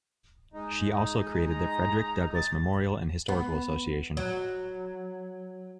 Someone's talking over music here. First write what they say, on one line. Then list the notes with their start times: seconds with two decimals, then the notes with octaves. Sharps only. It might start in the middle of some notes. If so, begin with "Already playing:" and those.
She also created the Frederick Douglass Memorial and Historical Association.
0.53 G#3 D#4
1.47 A#5
2.35 A6
3.28 B3
4.17 F#3